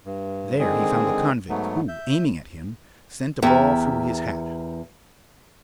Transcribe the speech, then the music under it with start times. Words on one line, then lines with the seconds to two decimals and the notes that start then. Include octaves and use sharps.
There he found a convict, who aiming at him, sent a ball through his hat.
0.06 G2
0.60 D3 D#3 G#3 C4 G#4
1.49 G#2 F#3 A3 B3
1.88 E5 G6
3.43 E2 G4 A#4 E5